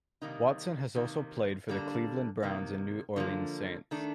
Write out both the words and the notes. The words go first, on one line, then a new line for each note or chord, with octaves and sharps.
Watson has also played for the Cleveland Browns and New Orleans Saints.
C3 D#3 G3 A#3 D#4
C3 D#3 A#3
F2 D3 G3 A#3 D4
C3 D#3 A#3
D3 F3 A#3
D#3 A3 D4